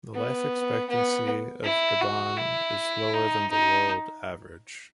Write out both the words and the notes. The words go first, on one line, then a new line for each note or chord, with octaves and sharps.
The life expectancy of Gabon is lower than the world average.
B3
B3
E4
F#4
E4
D#4
D#4